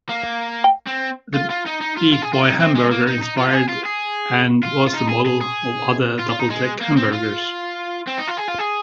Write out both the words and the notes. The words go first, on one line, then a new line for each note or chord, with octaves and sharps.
The Big Boy hamburger inspired and was the model for other double deck hamburgers.
A#3
C4
F4
F4
D#4
D#4
F4
F4
G#4
F4
D#4
C4
G#3
A#3
D#4
D#4
F4
F4
G#4
F4
G#4
F4
F4
D#4
G#4
G#4
G#4
F4
F4
D#4
G#3
A#3
C4
F4
C4
D#4
F4
G#4
F4
G#4